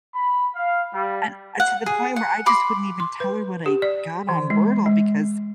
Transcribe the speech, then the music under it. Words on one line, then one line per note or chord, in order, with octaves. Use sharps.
and, uh, to the point where I just wouldn't even tell her what I got on Wordle, because
B5
F5
G3
F#5
G#4
F#5
B5 C6 D6
C6
B4
G4
D5
E3
G#3
G#3